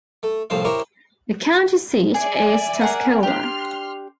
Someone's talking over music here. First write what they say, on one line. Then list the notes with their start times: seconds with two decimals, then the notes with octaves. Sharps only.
The county seat is Tuscola.
0.23 A3
0.50 C2 A2 F3 C5 F5
0.65 E4 G4 A#4 C5 C#5
2.14 G#4 D5 E5 G#5
2.81 G#4 A#4 F#5
3.23 D4 G4 C6 F6